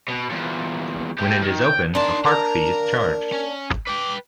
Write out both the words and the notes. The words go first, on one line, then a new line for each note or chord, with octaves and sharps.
When it is open, a park fee is charged.
B2
E2 A#2
A2 G4
D#3
G5
A#3 D4 D#4 A5 C6
A#4 A#5
C#4
B4 G5 D6